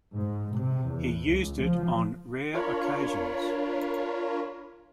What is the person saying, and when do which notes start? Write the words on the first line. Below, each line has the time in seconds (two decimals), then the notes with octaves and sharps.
He used it on rare occasions.
0.15 G#2
0.56 C3
0.90 E2
1.29 C#2
1.62 F3
2.54 D4 F4 A#4 C#5 B5